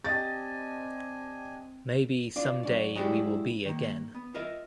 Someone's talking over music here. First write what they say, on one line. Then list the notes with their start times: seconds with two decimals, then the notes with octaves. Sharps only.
Maybe someday we will be again.
0.05 C4 D4 G4 D#5 G#5 A5 A6
2.36 D4 F4 D5
2.63 F#3 C#4 D5
2.95 F#3 G#3 D4 E4 F#4 G4
3.65 D#3 A#3
4.14 B3
4.34 F4 A#4 D#5 E5